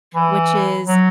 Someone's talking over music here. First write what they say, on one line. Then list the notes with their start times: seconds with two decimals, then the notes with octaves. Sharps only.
which is
0.15 E3
0.86 F#3